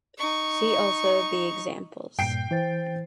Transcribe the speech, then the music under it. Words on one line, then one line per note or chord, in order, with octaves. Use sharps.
See also the examples.
D#4 C#6
G2 A#2 G5 C7 D7
E3 C5 A6